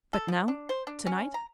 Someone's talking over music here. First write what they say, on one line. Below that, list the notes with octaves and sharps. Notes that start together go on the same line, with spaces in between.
"But now--tonight?"
A4
F3
D4
C5
D4
C#4
A#5